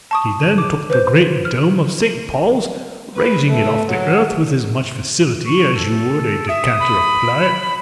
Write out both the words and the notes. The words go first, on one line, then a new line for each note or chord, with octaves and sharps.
He then took the great dome of St. Paul's, raising it off the earth with as much facility as you would a decanter of claret.
A5 C#6 D#6
D6
B4 C5 G6
F6
B4
A3
F#3
C#6
A4
E5 D#6
B5